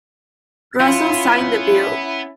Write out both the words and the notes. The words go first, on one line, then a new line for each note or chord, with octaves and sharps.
Russell signed the bill.
B3 C#4 E4 F4